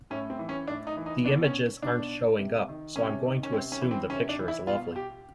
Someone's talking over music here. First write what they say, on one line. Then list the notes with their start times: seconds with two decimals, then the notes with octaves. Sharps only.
The images are n't showing up, so I 'm going to assume the picture is lovely.
0.10 A2 C#4
0.30 C4
0.39 E3
0.49 C#4
0.67 A2 D4
0.87 D#4
0.97 E3
1.06 D#4
1.24 B2 D4
1.44 C#4
1.82 B2 D4
2.39 C3
2.68 D#3
2.96 C3 C#4
3.25 D#3
3.43 C#4
3.53 C3 C4
3.72 C#4
3.81 E3
3.91 C4
4.10 C3 C#4
4.29 D4
4.39 E3
4.48 E4
4.67 B2 F4
4.96 G4